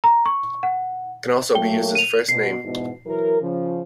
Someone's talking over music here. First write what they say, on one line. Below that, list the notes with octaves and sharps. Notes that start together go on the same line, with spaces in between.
It can also be used as a first name.
A#5
C#6
F#5
F#3 A3 A#3 G5 G7
D#7 F7
B2 C7
E2 G#2 B2
E3 F#3 A#4
C#3 F3